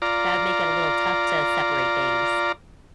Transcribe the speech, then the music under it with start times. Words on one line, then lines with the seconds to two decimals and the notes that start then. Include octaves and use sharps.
that would make it a little tough to separate things.
0.02 F4 D5 A#5